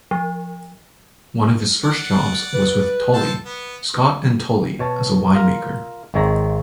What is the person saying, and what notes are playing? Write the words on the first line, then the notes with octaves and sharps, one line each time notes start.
One of his first jobs was with Tolley, Scott and Tolley as a winemaker.
F3
D5 F#5
B4
A4 C5 A5
B3
B2 C#5 A5
F4 A#4
G#1 D#3 G#3 C4 C#5 A#5